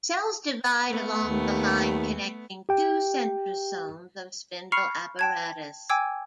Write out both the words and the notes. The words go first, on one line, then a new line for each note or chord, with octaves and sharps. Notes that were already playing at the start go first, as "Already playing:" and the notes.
Cells divide along the line connecting two centrosomes of spindle apparatus.
A3 B3
D#2
G4 G5
B5 C#6 F6 C7 C#7 F7
G5 A5 G#6
G5 G#5 D6 E6 G#6